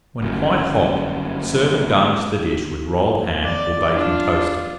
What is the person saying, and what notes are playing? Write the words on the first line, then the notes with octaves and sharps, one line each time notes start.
When quite hot, serve, and garnish the dish with rolled ham or bacon toasted.
G1 F#2
D5
D4 F4